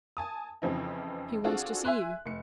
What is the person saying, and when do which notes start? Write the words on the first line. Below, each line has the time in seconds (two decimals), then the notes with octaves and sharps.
She wants to see you.
0.17 G#5 A5 D#6
0.62 F2 C#3 E3 F3 C4 D#4
1.44 C4 D4 F4 F#4 G#4 A4
1.85 E5 G#5 C6 F#6
2.26 F1 C#7